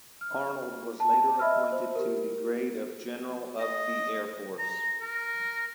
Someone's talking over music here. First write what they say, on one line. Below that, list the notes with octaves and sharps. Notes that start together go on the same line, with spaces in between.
Arnold was later appointed to the grade of General of the Air Force.
F6
A5
D#5 E5 B5 E6 F6
C5
G4 A#4
D#5
A#5
A#4